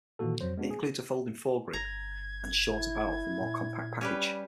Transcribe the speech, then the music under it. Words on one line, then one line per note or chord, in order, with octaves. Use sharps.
It includes a folding foregrip and shorter barrel for a more compact package.
A#2 D#3 E3 A#3 F#4 A4
F2 F#3 C5
G#3 B3 D4 F#4
G#4
G1 A#5 G#6
E4
A#2
G3 C#4 G4 B4